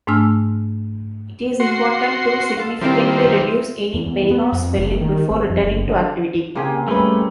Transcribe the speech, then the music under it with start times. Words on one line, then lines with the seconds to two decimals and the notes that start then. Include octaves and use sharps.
It is important to significantly reduce any pain or swelling before returning to activity.
0.07 G#2 A3 D4 G#5 E6 F6
1.60 F#4 C6
2.57 A4 F5
2.81 D#3 G3 C4 E4 F4 C5
3.94 E2
4.06 E2
4.31 B3
4.53 F2
4.78 F#1
5.01 D#3
5.30 G#1
5.50 F2
5.63 F#1
5.88 D3
6.55 C#3 A#3 C4 G4 G#4 G#5
6.88 G3 A3 C#4 G#4 B4